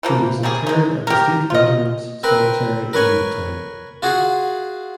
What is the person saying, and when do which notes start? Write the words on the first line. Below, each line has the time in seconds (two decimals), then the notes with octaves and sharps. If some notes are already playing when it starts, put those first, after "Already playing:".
He was interred at the State Veterans Cemetery in Middletown.
0.03 E3 F3 A#3
0.43 G3 A#3 G#4
0.67 G#3 D#4
1.07 G4 A#4
1.50 F4 D#5
2.23 C4 A#4 B4
2.93 A#4 B4 C#5 G#5
4.02 F4 F#4 G#4